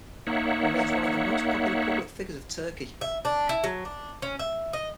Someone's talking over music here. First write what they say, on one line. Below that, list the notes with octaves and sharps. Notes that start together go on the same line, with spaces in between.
He remains one of the most popular public figures of Turkey.
A#3 D#4 C#5 E5 F#5
E5
D4
E4
F#3
D4
C#4
E5
D#5